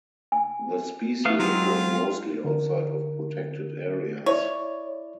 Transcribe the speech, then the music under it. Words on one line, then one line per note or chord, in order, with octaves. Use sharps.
The species occurs mostly outside of protected areas.
G#5
A3 B3 F5
F#3 G#3 C4 F4
D3 A#4
E4 C#5 D5